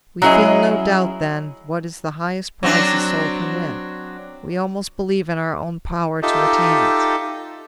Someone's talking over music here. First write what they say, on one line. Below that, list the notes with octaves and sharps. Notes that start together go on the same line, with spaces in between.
We feel no doubt then what is the highest prize the soul can win; we almost believe in our own power to attain it.
F#3 C#4 E4 G4 G#4 D#5
F#3 C4 D4
D#4 F4 G4 A4 D#5 E5